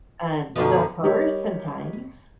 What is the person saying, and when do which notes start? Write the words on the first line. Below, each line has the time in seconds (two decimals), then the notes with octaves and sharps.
Um, they'll purr sometimes
0.56 F#2 B2 D3 F3
1.03 G3 G4 A#4 C#5 D#5